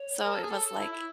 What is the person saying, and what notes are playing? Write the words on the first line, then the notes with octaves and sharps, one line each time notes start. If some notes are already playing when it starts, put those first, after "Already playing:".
so it was, like
Already playing: C#5
A#4
A4
G#4
A4
A4
E4
E4